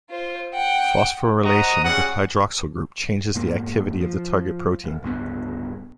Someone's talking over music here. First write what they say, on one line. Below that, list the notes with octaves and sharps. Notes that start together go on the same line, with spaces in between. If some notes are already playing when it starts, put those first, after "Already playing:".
Phosphorylation of the hydroxyl group changes the activity of the target protein.
F4 C5
F#5 G5
F#4 C5 D#5 F#5 A#5 D#6
G3 C#4 F#4 G#4 F#5
F2 G#2 A#3
F3
D1
D1 C#2 G2 B3